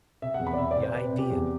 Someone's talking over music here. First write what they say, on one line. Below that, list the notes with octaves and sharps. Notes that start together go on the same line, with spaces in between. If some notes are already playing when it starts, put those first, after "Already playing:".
The idea!
C3 E5
F#5
E2
B5
D5
C3 E5
D5
C3
C5
C3 B4
C3
G4
E2